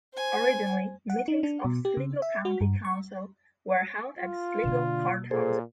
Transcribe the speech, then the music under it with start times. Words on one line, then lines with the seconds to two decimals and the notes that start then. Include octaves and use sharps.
Originally meetings of Sligo County Council were held at Sligo Courthouse.
0.13 C5 G#5
1.10 F#5
1.28 D#4
1.43 D4
1.65 B2
1.85 G4
1.97 C#3
2.22 E5
2.45 F#4
2.61 G2
2.85 C#6
4.19 F4
4.64 B2 D3 A#3
5.31 A#2 G#4 A4 C5